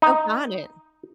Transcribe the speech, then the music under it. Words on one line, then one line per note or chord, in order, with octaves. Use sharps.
Oh, got it.
D#4